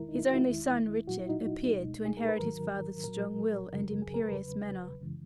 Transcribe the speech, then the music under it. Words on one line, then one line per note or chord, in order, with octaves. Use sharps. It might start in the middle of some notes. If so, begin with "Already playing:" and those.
His only son Richard appeared to inherit his father's strong will and imperious manner.
Already playing: E2 D#3 G#3 E4 A#4
D#4
E4
F#4
E4
E2 D#3 G#3
A#2 F#3 F#4
E4
D#4
C#2 B2 G#3
G#4
A#4
B4
G#2 D#3 F#3 A#4
A#2 F#3 A#4
F#2 C#3 F#3
G#4
A#4
B4
E2 C#3 F#3
F#2 C#3 E3 G#3